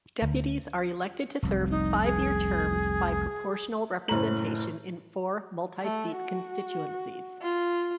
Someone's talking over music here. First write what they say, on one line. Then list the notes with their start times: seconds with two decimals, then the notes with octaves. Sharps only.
Deputies are elected to serve five-year terms by proportional representation in four multi-seat constituencies.
0.22 D2
1.43 F1 C2
1.70 D#4
2.04 G#4
4.08 F#1 A2 C5 A#5 F#7
5.82 A3
6.17 F#4
7.42 F4